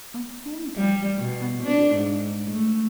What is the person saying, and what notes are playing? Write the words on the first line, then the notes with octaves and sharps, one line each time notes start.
"On whom, then!--on me?"
G3
B2
D4
G#2
A3